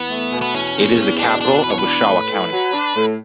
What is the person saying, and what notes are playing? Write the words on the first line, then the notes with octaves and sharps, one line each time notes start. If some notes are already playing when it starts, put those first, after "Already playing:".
It is the capital of Wschowa County.
Already playing: E2 B3
A3
B2
B3
E2 C#4
E2
E2
B2 D4
B2 D4
E2 B4
C#5
B4
D4
A2
A2
F#3
D4
A2